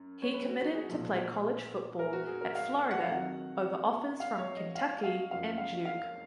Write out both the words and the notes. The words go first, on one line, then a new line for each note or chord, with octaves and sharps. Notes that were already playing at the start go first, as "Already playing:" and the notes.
He committed to play college football at Florida over offers from Kentucky and Duke.
Already playing: F#2
C#5
B4
F#4
F#4
G#4
B1 A#2 F3
A#4
F#4
G#4
A#4
F5
F#5
F5
F2 D#3 F#3 F#5
F5
C#5
D#5
F5
F5
F#1 F#2 F3 F5
F5
F5